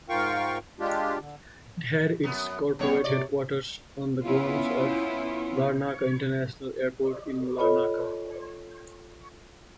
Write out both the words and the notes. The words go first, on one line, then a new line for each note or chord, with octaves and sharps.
It had its corporate headquarters on the grounds of Larnaca International Airport in Larnaca.
G#2 F4 A#4 F5 G5 C#6
G#3 D4 F4 G4
D3
F#2 B3
C3 G3 B3 C#5
C3 D5
B3 C#4 E4 F4
F4 A4 C#5 D#5 B5